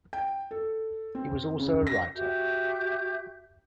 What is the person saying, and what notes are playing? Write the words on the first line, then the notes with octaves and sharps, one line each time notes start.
He was also a writer.
G5
A4
C4
C#3
A#6
F#4 G4 E5 G6